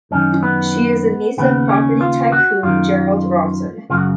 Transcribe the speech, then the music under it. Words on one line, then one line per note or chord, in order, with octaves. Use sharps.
She is the niece of property tycoon Gerald Ronson.
F#2 D#3 C#4
B3
D#2 C#3 B3
C#4
F4
F#4
F#2 D#3 F4
F#2 C#3 F4
F#4